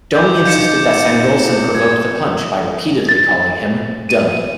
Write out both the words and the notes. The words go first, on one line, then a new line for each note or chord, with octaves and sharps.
Domi insisted that Samuelsson provoked the punch by repeatedly calling him "dummy".
D6 G6
D#4 D#5 F5 G6 C#7 E7
E4
G3 G#6
A6
D#7